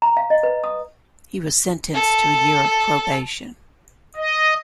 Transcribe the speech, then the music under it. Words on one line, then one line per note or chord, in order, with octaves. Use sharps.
He was sentenced to a year of probation.
A#5
F5
D#5
B4
D#6
A4
D#5